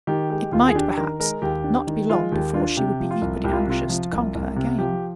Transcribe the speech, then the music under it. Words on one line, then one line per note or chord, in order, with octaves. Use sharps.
It might, perhaps, not be long before she would be equally anxious to conquer again.
D#3 G4
G#3 G4
D#2 F4
G#4
D4 G4
D#3 A#4
G#3 A#4
D#2 G4
D4
D#3
G#3 F4
D#2 G4
D4 F4
C3 G4
F3
F4
C2
C2 G4
F4
C3 F4
F3
C2
C2
C3
F3 G4